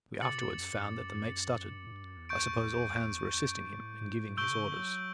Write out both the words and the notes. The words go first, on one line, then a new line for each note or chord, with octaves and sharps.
We afterwards found that the mate stuttered: I suppose all hands were assisting him in giving his orders.
C#3 D6 A6 C#7 F#7
B2
E2
F#2
F#2
G2
F#2
A2
G2
F#2
E2
C#6 G6 D7
E2
F#2
G2
A2
A2
B2 C#6 E6 G6 D7 G7
C#3
D3
F#3